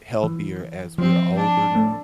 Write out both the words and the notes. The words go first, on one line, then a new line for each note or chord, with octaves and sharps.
healthier as we're older now,
E3
F3 C4
D4
A3